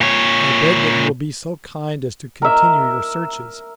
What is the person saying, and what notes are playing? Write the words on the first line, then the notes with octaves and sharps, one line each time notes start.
I beg that you will be so kind as to continue your searches.
A#2 C#5
A#4 E5